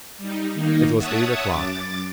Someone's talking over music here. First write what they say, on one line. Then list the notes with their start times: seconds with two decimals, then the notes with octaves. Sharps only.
It was eight o'clock.
0.18 G3 D#4
0.54 D#3 A#3 D#4
0.97 C#5 E5 F#5 A5 D#6
1.49 F#2 D6 A6